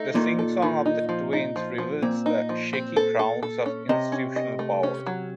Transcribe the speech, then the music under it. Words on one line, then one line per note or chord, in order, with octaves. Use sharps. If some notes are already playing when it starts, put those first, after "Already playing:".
The singsong of the twins reveals the shaky grounds of institutional power.
Already playing: A3 D#4
A#2 D#3
A4
D#3
D#4
F3
D#4
F3
F3
A#2 C4
D#4
F3
C4
A4
A4
A4
C#4
C3 D#5
C#4
D#5
A3
C#4
F#3